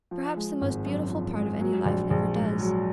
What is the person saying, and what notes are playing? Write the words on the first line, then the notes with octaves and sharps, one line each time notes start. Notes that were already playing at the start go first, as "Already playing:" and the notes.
Perhaps the most beautiful part of any life never does.
F3
G#3
G#1
F#2
F3
G#3
F#3
A#1
A#1
G#2
F#3